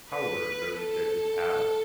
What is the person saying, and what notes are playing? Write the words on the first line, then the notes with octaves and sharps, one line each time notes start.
Power those judges have.
B4
A4